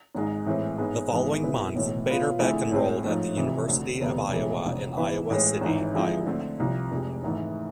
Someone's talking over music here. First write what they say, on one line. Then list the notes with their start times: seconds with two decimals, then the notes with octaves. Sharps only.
The following month, Beiderbecke enrolled at the University of Iowa in Iowa City, Iowa.
0.15 G#1 G#2 G#3
0.46 A2 E3 G#3 C4
0.78 G#2 G#3 B3
1.11 G#2 E3 G#3 B3
1.42 B2 G#3 C4 E4 B4
1.74 B1 A2 E3 A3
2.08 B2 B3 F4 B4
2.39 F2 D3 A3 E4 G#4
2.71 A2 G#3 C4
3.03 G#2 F3 A3
3.37 F1 F2 C3 E3
3.68 D2 D3 A3 C4
4.01 E1 D2 C3 G#3 B3
4.32 B1 A2 E3 G#3
4.65 F1 F2 D3
4.97 E3 B3 E4 B4
5.30 A1 A2 G#3
5.61 G#1 G#2 E3
5.93 D3 F3 G#3 C4 E4
6.26 D3 A3 C4
6.58 C2 C3 F3
6.91 F1 F2 C3 G#3
7.23 G#1 G#2 E3 A3